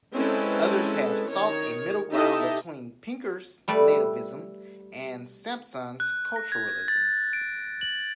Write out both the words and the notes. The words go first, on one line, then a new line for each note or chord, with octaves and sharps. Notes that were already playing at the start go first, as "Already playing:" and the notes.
Others have sought a middle ground between Pinker's nativism and Sampson's culturalism.
G#3 C4 C#4 E4 A4 B4
D#3 A#4 C#5
D#4 E4 G4 A4 D#5 E5
G3 A3 B4 D5
F#6
A#6
G#6
A6
D7
F#7